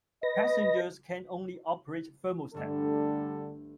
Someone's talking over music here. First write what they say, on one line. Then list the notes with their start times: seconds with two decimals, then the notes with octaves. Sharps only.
Passengers can only operate thermostat.
0.23 B4 D#5 A#6
2.54 G1 D3 G3 A3 D4 A4